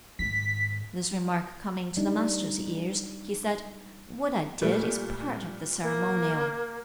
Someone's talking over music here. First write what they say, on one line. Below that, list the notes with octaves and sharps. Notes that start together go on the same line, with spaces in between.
This remark coming to the Master's ears, he said, "What I did is part of the ceremonial!"
G#2 D#3 B6
G3 D4 D#4
A#2 G3 A3
A#3